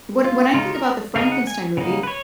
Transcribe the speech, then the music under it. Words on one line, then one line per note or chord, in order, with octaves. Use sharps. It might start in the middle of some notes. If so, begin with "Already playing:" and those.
When when I think about the Frankenstein movie,
F4
C#3 G#3 D#4 F4
A#4
C#3 G#3 D#4 F5
F#5
G#5
C#3 F#3 A#3 D#4
B4
C#5